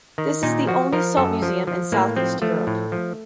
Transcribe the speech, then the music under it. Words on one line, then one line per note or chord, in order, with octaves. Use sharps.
This is the only salt museum in Southeast Europe.
D#3
A#2 D#4
F3 F#4
F3 A#4
F#2 A4
F3
F3
A2 A#3
F3 C4
F3 A3
A2
F3